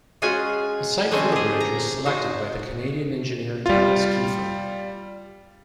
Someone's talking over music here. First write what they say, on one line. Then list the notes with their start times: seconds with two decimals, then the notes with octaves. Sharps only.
A site for the bridge was selected by the Canadian engineer Thomas Keefer.
0.22 G#3 C#4 F4 F#4 G#4 G#5
1.11 D3 G#3 C4 C#4 C5
1.32 G4 G#4
1.60 A#5
2.06 D#4 F#4 C5
3.66 G3 F4